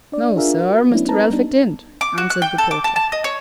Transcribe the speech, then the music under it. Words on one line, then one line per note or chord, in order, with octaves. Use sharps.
"No, sir, Mr. Elphick didn't," answered the porter.
D4 D5
D4 F4 G#4 A#4 E5 F5
F#4 A#4
F#3 A3 B3 C#4 D4 E4
C4 D#4 A4 B4 A5 A#5
G3 B3 D4 D#4
D6
F#4
F#6
G5
A4
D6
A5
A5
D#5
C#5